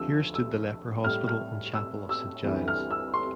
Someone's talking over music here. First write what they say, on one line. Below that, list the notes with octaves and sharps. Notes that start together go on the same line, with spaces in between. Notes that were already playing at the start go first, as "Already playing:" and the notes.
Here stood the leper hospital and chapel of Saint Giles.
Already playing: D2 D3 F3 E6
E6
A2 G3 F6
F6
E6
E6
D2 C3 E3 G3
F6
E6
C6